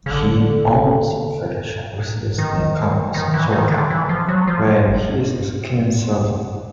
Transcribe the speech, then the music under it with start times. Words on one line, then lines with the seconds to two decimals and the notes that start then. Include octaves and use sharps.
He owns a vacation residence near Campos, Majorca, where he is a keen surfer.
0.06 C#3
0.10 D3
2.38 D#3
3.14 D#3
3.34 E3
3.52 D#3
3.71 D3
3.90 E3
4.09 F3
4.28 F#3
4.47 F3